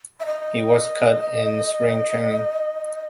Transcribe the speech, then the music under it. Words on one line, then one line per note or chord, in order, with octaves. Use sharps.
He was cut in spring training.
E5
D#5